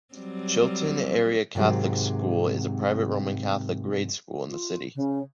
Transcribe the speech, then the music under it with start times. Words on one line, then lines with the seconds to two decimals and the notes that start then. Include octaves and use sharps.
Chilton Area Catholic School is a private Roman Catholic grade school in the city.
0.14 F#3 G3 C4
1.55 G#2 C3 D#3 E3 F#3 G#3
4.49 F4
4.95 C#3